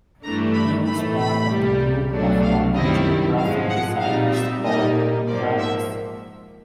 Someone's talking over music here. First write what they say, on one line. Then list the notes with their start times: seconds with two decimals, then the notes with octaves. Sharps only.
He was part of the group of Communist graphic designers called Grapus.
0.23 G2 E3 A3 D4 A#5
0.54 B5
0.86 A2 E3 A3 B5
1.18 B5
1.49 C2 A#2 G3
2.12 C2 B2 F#3 A3 D4
2.43 F5
2.75 F#2 D#3 G3 C4 E4 D#5
3.38 G#2 F3 G#3 F5
3.70 F#5
4.01 A#2 G3 C4 D#4 F5
4.32 E5
4.64 A#2 G3 A#3 D#4 D#5
5.27 G#2 F3 A#3 D5
5.59 E5